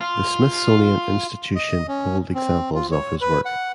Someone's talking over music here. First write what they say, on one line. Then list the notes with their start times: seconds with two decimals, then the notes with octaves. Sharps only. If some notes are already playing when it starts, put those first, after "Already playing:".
The Smithsonian Institution hold examples of his work.
0.01 F4
1.55 D#5
1.88 C#4
2.35 C4
2.75 F4
2.92 C#5
3.21 B4
3.45 F#5